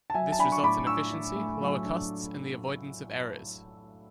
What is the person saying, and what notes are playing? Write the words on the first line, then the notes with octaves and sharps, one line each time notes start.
This results in efficiency, lower costs, and the avoidance of errors.
A5
F#3 E5 G#5
A5
D4 G#5 B5
C#6
A2 B5 D6
D4 C#6 E6
D4
A3
F#3
D4